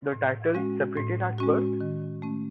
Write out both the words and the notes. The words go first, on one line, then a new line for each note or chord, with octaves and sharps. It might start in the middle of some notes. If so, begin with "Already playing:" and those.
The title Separated at Birth?
A2
G#3 C#4 F#4
A2
G#3 C#4 F#4
D#3
A3 C#4